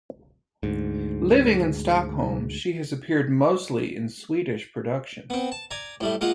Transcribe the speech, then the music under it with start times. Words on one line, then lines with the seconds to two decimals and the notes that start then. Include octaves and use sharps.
Living in Stockholm, she has appeared mostly in Swedish productions.
0.63 D2 G#2
5.30 B3 C4
5.52 A5
5.71 D5 G#5 A#5
6.01 A2 G3 A3
6.21 G#3 A#3 F4 D#5 F#5